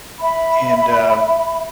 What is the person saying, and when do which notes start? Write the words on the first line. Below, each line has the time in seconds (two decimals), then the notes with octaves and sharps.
and, um,
0.21 E5 B5